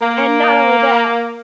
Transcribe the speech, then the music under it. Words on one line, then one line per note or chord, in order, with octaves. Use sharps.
and not only that,
A#3